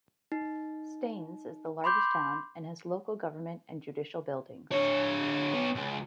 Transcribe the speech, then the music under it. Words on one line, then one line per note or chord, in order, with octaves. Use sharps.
Staines is the largest town and has local government and judicial buildings.
D#4
B5 C6 D6 G6
D3 C#5
B3 C#5
C#2